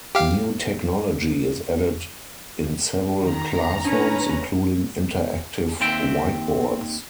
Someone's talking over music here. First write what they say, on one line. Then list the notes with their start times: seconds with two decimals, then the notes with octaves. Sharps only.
New technology is added in several classrooms, including interactive whiteboards.
0.15 G4 F5
3.19 D#3 A#5
3.85 C#4 D4 B4
5.80 D#2 D#3 C4 E5 G5